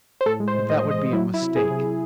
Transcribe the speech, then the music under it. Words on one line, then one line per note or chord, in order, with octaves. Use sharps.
But that would be a mistake.
C5
A2 A4
G#3
C5
A2
A2 D#5
E3
D#5
G#3
F#3 E4
F#3
E4
C3
C3 G#4
C3
C3